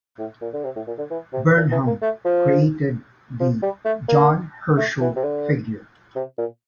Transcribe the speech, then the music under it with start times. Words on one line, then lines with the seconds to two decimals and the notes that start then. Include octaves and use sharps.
Burnham created the "John Herschel" figure.
0.19 A2
0.42 A#2
0.54 D3
0.64 C3
0.76 A2
0.87 A#2
0.98 D3
1.10 E3
1.33 C3
1.56 A#2
1.72 E3
1.87 A#3
2.02 A3
2.25 F3
3.40 F3
3.62 G3
3.85 A3
4.08 A#3
4.77 A3
5.01 E3
5.16 C3
5.23 D3
6.16 C3
6.38 A#2